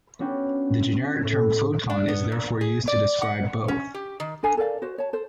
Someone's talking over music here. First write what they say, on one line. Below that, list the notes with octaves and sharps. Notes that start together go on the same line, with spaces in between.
The generic term photon is therefore used to describe both.
B3 C#4 D4 F#4 G5 B5
A2
D4
B3
A#2
G#4
D5
F#5
C#4
G4
D#3
D4 A4 G#5 A#5
A4 A#4 D5 F5
F#4 C5
C#5 A5
A4 C5